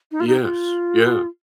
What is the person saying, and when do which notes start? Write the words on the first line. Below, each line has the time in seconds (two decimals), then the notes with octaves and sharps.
Yes. Yeah.
0.12 D#4
0.20 F4
0.27 D#4
0.42 F4